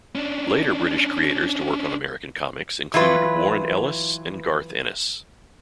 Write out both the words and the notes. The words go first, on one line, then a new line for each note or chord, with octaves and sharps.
Later British creators to work on American comics include Warren Ellis and Garth Ennis.
C#4 D4
E3 F#3 F4 B4